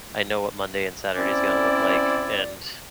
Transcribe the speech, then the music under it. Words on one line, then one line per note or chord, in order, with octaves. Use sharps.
I know what Monday and Saturday is gonna look like, and
C4 C#4 E4 D5